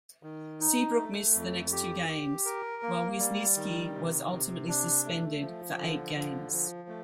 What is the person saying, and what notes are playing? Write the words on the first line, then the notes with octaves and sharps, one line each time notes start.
Seabrook missed the next two games, while Wisniewski was ultimately suspended for eight games.
D#3
D#4
A3
F2
G4
G4
A#4
A#3
G3
D#3
C3
C3
D4
A3
F3
D3
F3
F3
A3